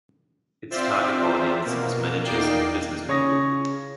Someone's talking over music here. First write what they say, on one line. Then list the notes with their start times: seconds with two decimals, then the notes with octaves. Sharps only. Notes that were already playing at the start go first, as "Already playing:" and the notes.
Its target audience is managers and business people.
0.71 C4 F4 C5 D5 E5
1.63 B2 A#3
2.24 E2 A#3 D#4 D5 G5 C7
3.09 C#3 C#5 C#6 D#6 A#6